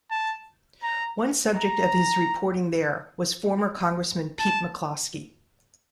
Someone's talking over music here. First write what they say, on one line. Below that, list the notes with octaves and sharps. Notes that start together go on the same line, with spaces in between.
One subject of his reporting there was former Congressman Pete McCloskey.
A5
A#5
A#5
A5